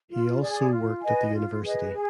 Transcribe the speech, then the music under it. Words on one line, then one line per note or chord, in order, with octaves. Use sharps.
He also worked at the University.
F4
G#4 D5
F4
B4 D#5 G#5
F4
G#4 B4 D#5
G#4